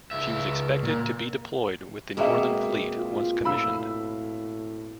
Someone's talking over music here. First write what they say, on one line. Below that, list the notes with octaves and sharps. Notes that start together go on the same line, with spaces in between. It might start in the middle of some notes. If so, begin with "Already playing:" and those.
She was expected to be deployed with the Northern Fleet once commissioned.
C#2 E5
A#2
B2 G#3 A#3 C4 F#4 E5
F4
A2 F5 B5 E6